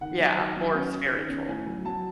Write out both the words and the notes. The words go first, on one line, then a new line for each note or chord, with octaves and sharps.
Yeah, more spiritual.
D#3 F#5
F#3
D#3
F#3
C#4
C#4
D#3
C#4
A2 G#5
F#3
F#3 A5